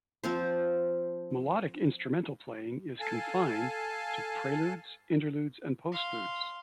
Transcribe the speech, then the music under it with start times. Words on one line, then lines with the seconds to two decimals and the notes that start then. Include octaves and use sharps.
Melodic instrumental playing is confined to preludes, interludes and postludes.
0.24 F3 C4 C5
3.00 A4 F5 G#5 A5
5.92 F5 C6